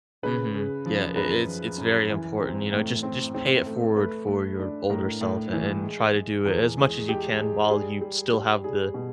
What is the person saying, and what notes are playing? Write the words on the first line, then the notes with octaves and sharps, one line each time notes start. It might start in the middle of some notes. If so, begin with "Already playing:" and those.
Mhm. Yeah, I it's it's very important, you know? Just just pay it forward for your older self and and try to do it as much as you can while you still have the
C#3 B4
C#3
F3
F#2 B4
F3
F#2
E3
C4
A2
C4
C4
A3
A3 B4
A3
D4
A2 A#4
A2
E3
G#3
G#3
E2
G#3 G#4
G#3 G4
G#3 G#4
G3 G#4
G3
G3
G3 G#4
B2